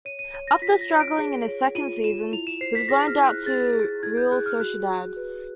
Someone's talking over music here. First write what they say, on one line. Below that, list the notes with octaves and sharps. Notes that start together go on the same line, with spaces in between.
After struggling in his second season, he was loaned out to Real Sociedad.
C#5 D#7
D#7
C#5
A#6
F4 B6
A#6
C#5
D7
G#4
C#5
F4 D#7
F4 E7
E4 F7
E7
C5 C7
B6
G#4 A#6
F6
E4
F#6
G#4 A6
G#4
E4 G#6
G6
G#4 F#6
F6
F#4 F#6
F#4
B4